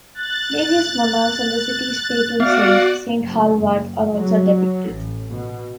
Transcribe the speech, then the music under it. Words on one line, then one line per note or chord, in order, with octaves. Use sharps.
Various monarchs and the city's patron saint, Saint Hallvard are also depicited.
F#6 A6
B3 F#4 D5 F5 F#5
F#1
F#1
F#3
A1
B2